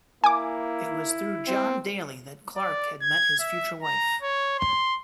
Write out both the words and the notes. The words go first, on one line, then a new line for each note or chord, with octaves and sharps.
It was through John Daly that Clarke had met his future wife.
A#3 E4 G#5 D6
C4
D5
G#6
E5
A#5
C#5
C6